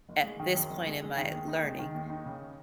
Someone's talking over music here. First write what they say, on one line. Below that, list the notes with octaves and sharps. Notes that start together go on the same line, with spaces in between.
at this point in my learning,
F#1
G#3
D#3
F#2
F#1
G#3
G#3
D#3
D#2
D#4
G#3
D#3
D#2
D#4
C#3